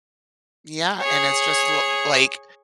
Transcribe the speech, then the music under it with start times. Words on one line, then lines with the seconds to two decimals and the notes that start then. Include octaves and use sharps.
Yeah, and it's just l like,
1.00 G#4 C#5